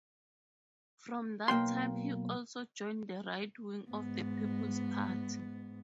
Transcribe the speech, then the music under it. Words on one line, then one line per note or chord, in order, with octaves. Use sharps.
From that time he also joined the right wing of the People's Party.
B1 A#3 G5 C6
G#2 B3